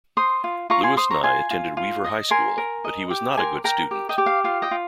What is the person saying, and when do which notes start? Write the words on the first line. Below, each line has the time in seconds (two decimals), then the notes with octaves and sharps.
Louis Nye attended Weaver High School, but he was not a good student.
0.17 C5 C6 D#6
0.44 F4
0.70 F4 A#5 C#6
0.83 G#5 C6
0.97 C5 C6 D#6
1.11 A#5 C#6
1.24 F4 G#5 C6
1.51 F4
1.77 F4
2.04 D#5
2.31 A#4 G#5 C6
2.58 A#4
2.84 D#5
3.11 G4
3.37 A#4 G#5 C6
3.64 A#4 G5 A#5
3.91 G4
4.09 D#5 G5
4.18 G4
4.26 F5
4.44 F4 F5
4.62 D#5 G5
4.71 F4